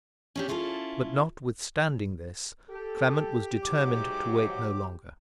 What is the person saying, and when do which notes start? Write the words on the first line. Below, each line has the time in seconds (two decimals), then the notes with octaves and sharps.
But, notwithstanding this, Clement was determined to wait no longer.
0.36 C#4 D4 G4
0.48 C#4 E4 F4 G4 A4
2.70 G4 A4
3.63 E2 G#2 F#3 D6